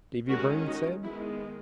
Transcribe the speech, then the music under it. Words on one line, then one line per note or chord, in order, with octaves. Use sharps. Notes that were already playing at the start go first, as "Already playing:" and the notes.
Davy Byrne said.
D#3 G#3 C#4 F#4 A#4
D#4 F#4
D#3 G#3 B3 E4